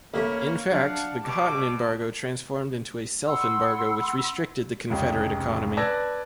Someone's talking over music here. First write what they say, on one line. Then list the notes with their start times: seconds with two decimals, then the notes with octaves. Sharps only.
In fact, the cotton embargo transformed into a self-embargo which restricted the Confederate economy.
0.14 D2 C3 A3 A#3 C#4 C#5 B5
0.72 F#3 D4 F5 F#5 A5
1.24 B2 G3 D6
3.26 F#5 B5 C6 E6
4.90 F1 C#2 G4 G#4
5.77 B4 D5 A5 E6 G#6 A#6